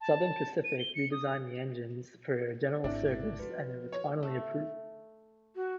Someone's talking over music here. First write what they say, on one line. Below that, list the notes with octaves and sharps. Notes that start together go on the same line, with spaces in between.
Southern Pacific re-designed the engines for general service and it was finally approved.
A5
D#7
G7
C#7
D#6
G#1 C4 D4 E4 E5
F3 F#4 B4
C#5
A3
F#4